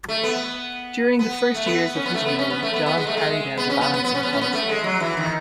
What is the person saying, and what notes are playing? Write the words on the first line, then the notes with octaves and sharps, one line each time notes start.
During the first years of his rule John carried out a balancing policy.
A3
B3
B3
A3
B3
C#4
B3
A3
B3
C#4
B3
A3
B3
B3
G#3
A3
G#3
B3
C#4
B3
B3
B3
C#4
B3
C#4
B3
A3
G#3
F#3
E3
D#3